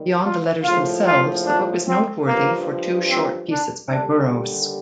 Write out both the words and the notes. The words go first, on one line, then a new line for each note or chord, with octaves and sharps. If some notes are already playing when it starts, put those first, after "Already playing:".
Beyond the letters themselves, the book is noteworthy for two short pieces by Burroughs.
Already playing: D#2 D#3 G3
F4
A#1 A2 F3 F4
F4
D4
C4
G2 F3 A#3
C4
D4
D#2 D3 G3 D4